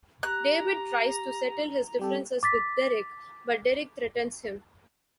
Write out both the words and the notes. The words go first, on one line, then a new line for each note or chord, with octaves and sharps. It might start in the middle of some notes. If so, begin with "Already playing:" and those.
David tries to settle his differences with Derek, but Derek threatens him.
G4 A#5 F#6
G3 C4 G4 A4
D6 A6 B6